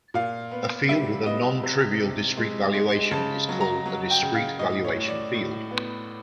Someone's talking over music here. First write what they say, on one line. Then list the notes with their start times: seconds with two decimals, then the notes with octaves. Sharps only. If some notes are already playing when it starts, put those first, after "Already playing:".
A field with a non-trivial discrete valuation is called a discrete valuation field.
0.14 A#2 F5
0.51 B3
0.89 G3 E5
1.26 B3 D#5
1.63 C3
2.00 C3
2.37 G#3
2.74 G#3
3.11 C#3 A5
3.49 F#3
3.61 A#5
3.86 F#3
4.10 G5
4.23 C#3
4.35 F5
4.59 A2 D#5
4.84 C#5
4.96 A2
5.08 D5
5.34 A2
5.71 B3